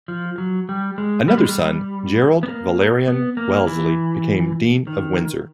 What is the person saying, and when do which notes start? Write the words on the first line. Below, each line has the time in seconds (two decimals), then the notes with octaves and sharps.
Another son, Gerald Valerian Wellesley, became Dean of Windsor.
0.08 F3
0.38 F#3
0.69 G3
0.98 G#3
1.28 G3
1.38 G#3
1.49 G3
2.43 B3
2.48 A#3
3.08 B3
3.37 A#3
3.67 E3
4.87 D#3